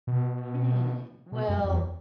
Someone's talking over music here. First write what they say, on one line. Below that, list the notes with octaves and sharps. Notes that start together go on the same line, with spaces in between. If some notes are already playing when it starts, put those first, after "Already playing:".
Hmm. Well,
B2
B2
F#2
F2
E2